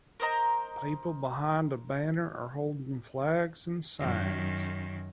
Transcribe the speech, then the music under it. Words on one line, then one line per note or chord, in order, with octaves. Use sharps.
People behind a banner are holding flags and signs.
A#4 C5 D#5 A#5
F#2 D#3